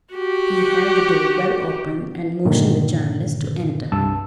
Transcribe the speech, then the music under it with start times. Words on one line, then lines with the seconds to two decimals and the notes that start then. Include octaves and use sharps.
He held the door well open, and motioned the journalist to enter.
0.14 F#4 G4
2.45 G2 A#2 D3 D#3
3.92 C2 G2 A5 E6